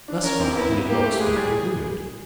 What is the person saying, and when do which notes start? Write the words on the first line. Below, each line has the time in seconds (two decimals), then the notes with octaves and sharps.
Thus far he had not spoken a word.
0.08 D4
0.23 C#4 A#4
0.40 C4
0.56 B3 E4
0.72 B3
0.89 A#3 G4
1.04 A3
1.20 G#3 G#4
1.36 G3